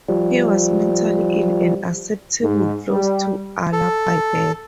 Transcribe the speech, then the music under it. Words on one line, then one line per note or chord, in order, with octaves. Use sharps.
He was mentally ill and acceptable close to Allah by birth.
F3 G3
G#2
G3
A4